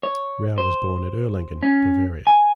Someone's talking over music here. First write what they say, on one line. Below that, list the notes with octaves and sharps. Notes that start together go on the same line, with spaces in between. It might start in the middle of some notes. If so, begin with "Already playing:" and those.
Rau was born at Erlangen, Bavaria.
C#5
C5
C#4
G#5